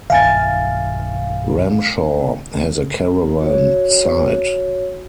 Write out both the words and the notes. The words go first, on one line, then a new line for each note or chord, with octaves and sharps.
Ramshaw has a caravan site.
B1 G2 D#3 E5 F5 G#5 A6
F#4 C#5